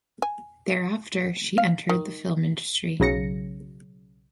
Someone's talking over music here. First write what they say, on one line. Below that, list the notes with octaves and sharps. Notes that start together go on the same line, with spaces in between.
Thereafter she entered the film industry.
G#5
F5
D#3
B1 C#3 F#3 A#6 C#7